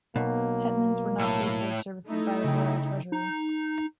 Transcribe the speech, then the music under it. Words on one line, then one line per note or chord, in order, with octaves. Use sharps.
Hetmans were not paid for their services by the Royal Treasury.
B1 B2 A#3
A2
A3 D#4 E4
C#3 G5
D#4